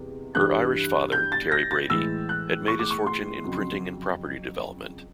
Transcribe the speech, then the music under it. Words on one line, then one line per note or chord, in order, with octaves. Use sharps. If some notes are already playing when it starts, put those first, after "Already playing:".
Her Irish father, Terry Brady, had made his fortune in printing and property development.
Already playing: E2 C3 G#3
G2 E3 G3 F#6
G6
A6
A#6
A6
A2 E3 G#3 E6
F#6
C#6
D6
C#6
C6
F2 C#3 F#3